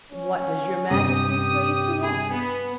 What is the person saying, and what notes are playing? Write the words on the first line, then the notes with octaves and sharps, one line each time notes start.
'What does Your Majesty please to want?
C#4
G2 C3 G4 D#6
G#4
B3